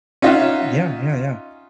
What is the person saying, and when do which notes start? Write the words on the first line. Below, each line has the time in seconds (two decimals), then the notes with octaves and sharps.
Yeah, yeah, yeah,
0.22 C#4 D#4 F4 D#5 E5 F#5